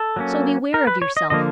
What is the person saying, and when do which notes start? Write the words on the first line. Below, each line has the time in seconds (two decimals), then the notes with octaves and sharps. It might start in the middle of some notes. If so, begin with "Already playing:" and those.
So beware of yourself.
Already playing: A4
0.16 F#3 A#3 C#4
0.74 A#4
0.87 B4
1.02 C#5
1.17 D#5
1.30 D3 F3 A#3 D#5